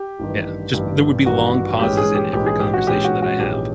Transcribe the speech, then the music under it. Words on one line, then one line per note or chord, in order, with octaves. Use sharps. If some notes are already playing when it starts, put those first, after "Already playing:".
Yeah, just there would be long pauses in every conversation that I have.
Already playing: G4
A1 G2 D#3
A1 G2 D#3
A1 G2 D#3 F#4
A#1 G#2 E3 G#3 C#4 G4
G#4
G4
A#1 G#2 E3 G#3 C#4 G4
G#4
G4
F#4
A#1 G#2 E3 G#3 C#4 G4
F#4
F#4
A#1 G#2 E3 G#3 C#4 G4
G4